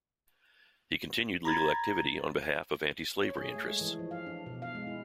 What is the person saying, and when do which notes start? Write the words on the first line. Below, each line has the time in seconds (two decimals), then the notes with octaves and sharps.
He continued legal activity on behalf of anti-slavery interests.
1.45 A#5 B5 G#6 A6
3.23 C#5
3.38 G#4
3.56 A3
3.68 G#3
3.81 E3
3.99 F3
4.11 F5
4.26 D4
4.46 B2
4.62 F5
4.75 G#3
4.87 E4